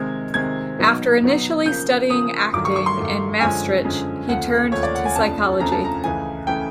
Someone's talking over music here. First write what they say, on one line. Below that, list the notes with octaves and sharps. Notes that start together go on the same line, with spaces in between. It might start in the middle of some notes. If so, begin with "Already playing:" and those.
After initially studying acting in Maastricht, he turned to psychology.
Already playing: C3 D#3 G#3 C4 G#6
C3 D#3 G#3 C4 G#6
B2 F#3 B3 D#4
B2 F#3 B3 D#4
C#3 F3 A#3 G6
C#3 F3 A#3 D#6
G2 D#3 F#3 A3 D6
C#6
C#6
C6
G2 D#3 F#3 A3
F#2 D3 F3 G#3 C#4 G#5
F#2 D3 F3 G#3 C#4
D#2 C#3 F3 A3 F#5
D#2 C#3 F3 A3 C#5
D5
F#5
G#5
F2 C#3 F3 A3 D4 A5
F2 C#3 F3 A3 D4 A#5
A5
A#5
C#2 C#3 E3 A3 G#5
C#3 E3 A3 G5